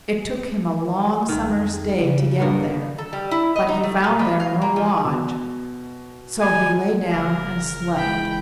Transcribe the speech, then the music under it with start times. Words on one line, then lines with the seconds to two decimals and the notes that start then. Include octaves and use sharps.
It took him a long summer's day to get there, but he found there no lodge, so he lay down and slept.
1.29 C2 D#3
1.51 F2
2.00 C#3
2.40 G2 A#3 B3
2.98 A4
3.13 G3
3.31 E4
3.56 D#5
3.68 D#4
3.83 A3
4.04 A#2
4.19 B2
4.40 F5
4.62 A#3
4.76 F3
5.04 B2
6.40 G#5
7.13 F#1 A#4
7.97 E3 G#3 G5 B5